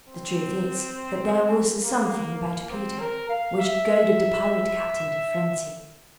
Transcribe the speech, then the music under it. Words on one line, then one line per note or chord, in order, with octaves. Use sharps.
The truth is that there was a something about Peter which goaded the pirate captain to frenzy.
C4
A#3
A#3
C4
A#4
F5
E5